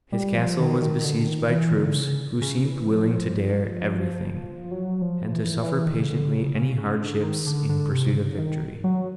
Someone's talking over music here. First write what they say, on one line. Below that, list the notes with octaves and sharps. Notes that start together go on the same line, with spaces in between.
His castle was besieged by troops, who seemed willing to dare every thing, and to suffer patiently any hardships in pursuit of victory.
G3
F3
D#3
D#3
D3
D#3
E3
D3
C#3
C#3
E3
F3
F#3
F3
E3
E3
D#3
C#3
D3
C#3
C#3
C#3
D3
D#3
D3
D3
C3
C#3
D#3
F#3